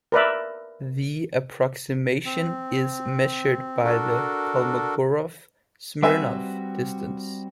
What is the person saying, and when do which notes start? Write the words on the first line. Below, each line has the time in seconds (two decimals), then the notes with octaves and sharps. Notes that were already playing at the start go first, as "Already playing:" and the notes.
The approximation is measured by the Kolmogorov-Smirnov distance.
0.12 A#4 B4 D5 E5
2.26 C4
3.84 D4 F#4 A4 A#4
6.03 G3 C4 F#4 B4 E5 G#5